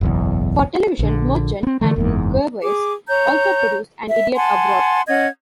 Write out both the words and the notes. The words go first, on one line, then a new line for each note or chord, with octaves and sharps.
For television, Merchant and Gervais also produced "An Idiot Abroad".
F#1 B1 E2
A#1 D3
B3 C4
D3 E3 A3
F#1 E2 G#2
G#4 D6
C#5 A#5 G6
E5
F#5 G#5 A5 C6
C#4 D#5 F#5 G#6